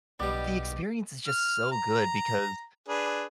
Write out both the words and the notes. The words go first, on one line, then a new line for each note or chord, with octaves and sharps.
The experience is just so good because,
B1 G3 B3 G4 D5 D#5
F6
A#5
D4 G#4 B4